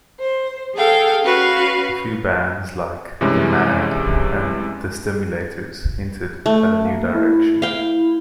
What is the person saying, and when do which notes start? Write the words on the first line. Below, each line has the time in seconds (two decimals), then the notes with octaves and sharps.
A few bands like The Mad and The Stimulators hinted at a new direction.
0.19 C5
0.76 G#4 A4 F5 G5
1.24 C#4 F#4 B4 F5
3.21 G2 C3 E3 G#3 C#4
6.46 A3
6.85 A#3
7.15 E4
7.62 F5 G5